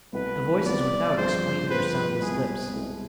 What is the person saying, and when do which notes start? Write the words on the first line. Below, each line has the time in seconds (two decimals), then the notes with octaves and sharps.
The voices without explained their soundless lips.
0.13 C2 B2 B3 B4
0.66 C2 B2 B3 D5
1.17 G2 F3 C4 F4 G#4 C5
1.70 G2 F3 C4 F4 G#4 B4
2.21 C2 B2 G#3 G#4
2.74 C2 B2 G#3